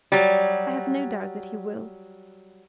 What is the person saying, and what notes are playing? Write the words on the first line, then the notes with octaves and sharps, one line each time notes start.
I have no doubt that he will.
F#3 G3